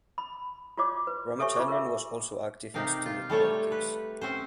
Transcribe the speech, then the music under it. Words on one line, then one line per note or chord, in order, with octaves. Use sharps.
Ramachandran was also active in student politics.
B5
F4 F#4 C#5 D5 D6
B4
G4 A4 C#5 E5 G#5 C#6
F4 D5 C#6 D6
A#4 E5
C3 D#4 G4 A#4 F5
F4
G3 A3 A4 C#5
B4
C4 C#4 C5